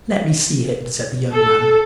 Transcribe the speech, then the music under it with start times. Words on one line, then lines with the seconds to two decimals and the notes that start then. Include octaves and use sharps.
"Let me see him," said the young man.
1.31 A4